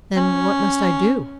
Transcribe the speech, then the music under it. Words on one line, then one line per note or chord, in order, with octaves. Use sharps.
'Then what must I do?'
C#4